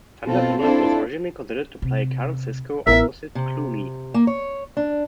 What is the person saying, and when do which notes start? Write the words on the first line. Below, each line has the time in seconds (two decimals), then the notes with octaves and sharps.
Sandra Bullock was originally considered to play Karen Sisco opposite Clooney.
0.24 B2 C4 F4 A4
0.60 C4 D4 E4 F4 A4 C5
1.82 C3
2.87 A1 B3 E4 A#4 E5
3.35 C3
4.14 A#3
4.27 C#5
4.77 D4